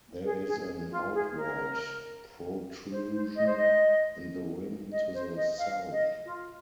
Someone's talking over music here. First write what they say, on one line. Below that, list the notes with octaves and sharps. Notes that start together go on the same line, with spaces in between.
There is an outward protrusion in the rim to the south.
G#4
G#4
F4
G#4
A#4
C5
C5
D#5
C5
D#5
D#5
C5
D#5
F5
D#5
F4